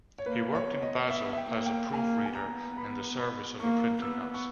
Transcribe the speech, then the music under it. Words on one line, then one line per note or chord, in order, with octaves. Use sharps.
He worked in Basel as a proof-reader in the service of a printing house.
C#5
A#3 B4
C#5
B3
D#5
B3 E5
E5
G5
A#3
G5
A#3 G#5
G#5
B3 A#5
B5
B5
A#3 C#6
B3 E6
C#6